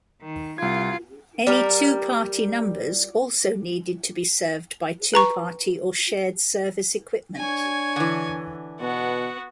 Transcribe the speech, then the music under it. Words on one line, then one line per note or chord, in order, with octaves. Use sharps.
Any two-party numbers also needed to be served by two-party or shared service equipment.
D#3
C2 F4 G#6
G3 A#4
B4 A#5 C#6
D4 C#5 G#5
D3 E3
B2 B3 F#4